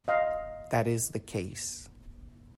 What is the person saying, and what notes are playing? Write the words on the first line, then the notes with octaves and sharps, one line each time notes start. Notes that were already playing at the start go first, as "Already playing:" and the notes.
That is the case.
D#5 F5